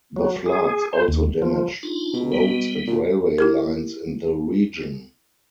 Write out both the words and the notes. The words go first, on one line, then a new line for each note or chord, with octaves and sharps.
The floods also damaged roads and railway lines in the region.
F#3
G#4
C5
D#2
F3
D4 D#4 F4
B2
G3 B3
A#2
E4 G4 A#4